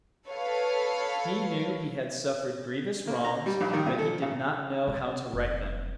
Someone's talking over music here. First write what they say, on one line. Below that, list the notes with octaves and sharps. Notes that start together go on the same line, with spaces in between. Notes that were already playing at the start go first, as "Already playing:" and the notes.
He knew he had suffered grievous wrongs, but he did not know how to right them.
A4 B4 C#5 F5
A#3
A#5
G3
A#1
D#3
A#2
A4
C#3
C3
F1